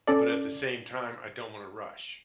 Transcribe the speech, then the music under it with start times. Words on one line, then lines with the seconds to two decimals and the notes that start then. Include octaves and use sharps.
but at the same time, "I don't want to rush."
0.07 C#4 A4 D5